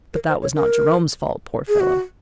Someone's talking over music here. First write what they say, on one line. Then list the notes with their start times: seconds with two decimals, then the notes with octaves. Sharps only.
But that was not Jerome's fault, poor fellow!
0.14 A#4
0.29 C5
0.42 C#5
0.55 A#4
1.68 G#4
1.80 F#4